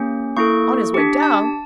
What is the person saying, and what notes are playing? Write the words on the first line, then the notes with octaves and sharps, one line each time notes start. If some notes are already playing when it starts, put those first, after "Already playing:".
On his way down!
Already playing: A#3 C#4 G4
A#3 E4 A4 C#6
D4 G4
A5